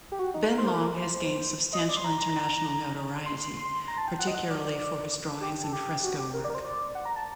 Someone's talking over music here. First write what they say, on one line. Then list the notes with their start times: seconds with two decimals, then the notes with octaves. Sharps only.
Ben Long has gained substantial international notoriety, particularly for his drawings and fresco work.
0.12 G4
0.19 F#4
0.34 D#4
0.49 A#4
0.58 C5
0.67 A#4
0.80 A#4
0.97 C5
1.73 D#5
1.89 D5
1.96 C6
2.04 A#5
3.26 C6
3.57 C6
3.88 A#5
3.98 A5
4.08 G5
4.19 F#5
4.27 D#5
4.35 F#5
4.50 D5
5.41 G4
5.63 A4
5.73 G4
6.04 F#4
6.19 G4
6.34 A#4
6.44 D5
6.50 A#4
6.55 C5
6.65 D5
6.95 F#5
7.05 A#5
7.16 A5